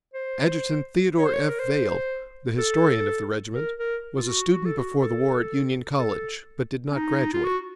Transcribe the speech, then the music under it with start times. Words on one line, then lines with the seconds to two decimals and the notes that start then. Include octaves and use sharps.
Adjutant Theodore F. Vaill, the historian of the regiment, was a student before the war at Union College, but did not graduate.
0.14 C5
1.19 C#5
1.26 C5
1.34 C#5
1.49 A#4
1.60 C5
2.58 A4
3.55 A#4
3.80 A#4
4.17 F4
4.28 F#4
4.52 F#4
4.65 A4
4.78 F#4
5.01 A4
5.99 A4
6.91 C#4
6.96 D#4
7.34 F4
7.45 F#4